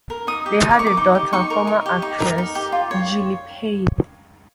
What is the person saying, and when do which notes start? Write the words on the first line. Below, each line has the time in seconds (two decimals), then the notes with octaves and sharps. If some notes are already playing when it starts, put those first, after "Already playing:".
They had a daughter, former actress Julie Payne.
0.10 A#4
0.27 D#4 D#6
0.46 G4
0.63 D#4 D#6
0.71 D6
0.79 A#4 C#6
0.87 D6
0.97 D#4
1.15 G4
1.33 D#4 C#6
1.50 A#4
1.67 D#4
1.86 G4
2.02 D#4
2.21 A#4
2.38 D#4
2.55 G4
2.72 F4
2.91 C#5